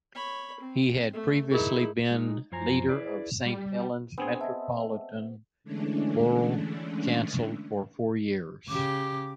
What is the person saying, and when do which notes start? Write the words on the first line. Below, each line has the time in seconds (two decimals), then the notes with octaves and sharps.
He had previously been leader of Saint Helens Metropolitan Borough Council for four years.
0.15 C#5 B5
0.60 C4
1.13 A3
1.51 D#4 E4 G#4 A#4
2.11 G#3 D#4
2.52 F#2 F3 C5 G#5 A#5
2.89 E4 G#4 B4 D5
3.46 G3
4.18 B3 C4 D4 G#4 G#5
4.41 D#5 E5 A5
5.64 D3 E3 G#3 A3 C#4 D4
8.69 C#3 G4 D6